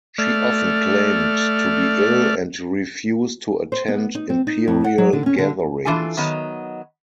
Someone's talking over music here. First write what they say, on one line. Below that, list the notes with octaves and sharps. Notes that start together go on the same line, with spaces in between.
She often claimed to be ill and refused to attend imperial gatherings.
A3 D5 F6
C5
B3
D#4
C4
D#4
F2
F#5
F#3
D3
C#4
D3
E3 D4 F4 A4 G#5
D#3 F#3 B3 D#5